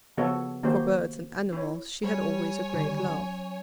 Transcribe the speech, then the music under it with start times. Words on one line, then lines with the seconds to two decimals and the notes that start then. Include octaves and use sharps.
For birds and animals she had always a great love.
0.17 C#3 F3 B3 F#4 A4 C#5
0.63 D#3 A#3 C#4 F#4 G4 C5
1.53 E4 C#5
2.03 G3 C#5 G#5
2.73 D3 D#3
3.08 F#3 C#4